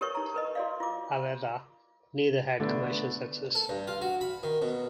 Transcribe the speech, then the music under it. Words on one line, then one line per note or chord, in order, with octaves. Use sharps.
However, neither had commercial success.
G4 A#4 B4 C#5 C#6
D#4 A#5
A#4 B4 D#5
F#4 D5 F5
F4 D6
D3 A3 B3
A4
G2
F4
F#4
B5
D#3
B2